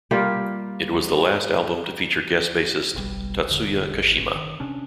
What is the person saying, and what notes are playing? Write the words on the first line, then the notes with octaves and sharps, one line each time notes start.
It was the last album to feature guest bassist, Tatsuya Kashima.
G3 A#3 F4 G4
F#1 B1 A#2 G3
E1 D3
G#1
F#1
D#3
C3 C#4 D4